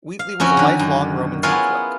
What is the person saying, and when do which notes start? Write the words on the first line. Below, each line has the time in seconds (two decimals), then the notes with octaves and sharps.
Wheatley was a lifelong Roman Catholic.
0.19 F5
0.40 F2 C#4 F#4 E5
0.57 D3 D#3
0.79 F#2
1.43 B3 E4 F4 G#4 A#4 C#5